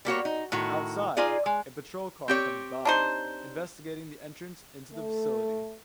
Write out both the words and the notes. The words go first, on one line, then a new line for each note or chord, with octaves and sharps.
Outside, a patrol car comes by, investigating the entrance into the facility.
G3 A#3 F#4 C#5
D#4
A2 D#3 F#4
D#4 F4 G#4 D5
G#3
C4 G4 C#5
D4 D#4 C5
A3